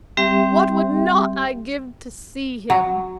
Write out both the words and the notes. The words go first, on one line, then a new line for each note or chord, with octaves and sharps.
What would not I give to see him!
G3 C4 G4 E5 G5
F#3